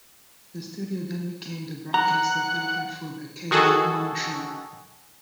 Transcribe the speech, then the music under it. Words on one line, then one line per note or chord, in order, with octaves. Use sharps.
The studio then became the broadcast location for the "K-Love Morning Show".
F#5 A#5
D#3 F#4 G#4 A4